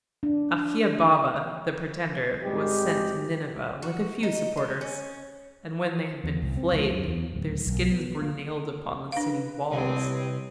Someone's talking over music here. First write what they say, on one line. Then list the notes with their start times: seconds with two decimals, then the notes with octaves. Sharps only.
Akhiababa the pretender was sent to Nineveh with a few supporters; and when they had been flayed their skins were nailed upon the city walls.
0.23 D4
2.43 G#1 G3 G#3 G4
3.82 F#4
4.23 D#4
4.57 G#3
4.81 C#4
6.24 E2
6.42 C2
6.57 C4
6.72 C#2
6.91 F#2
7.07 E2
7.34 D1
7.66 B1
7.92 B3
8.22 A#3
9.12 D4 B4 F5
9.71 C2 C4 G4 B4 C#5 D#5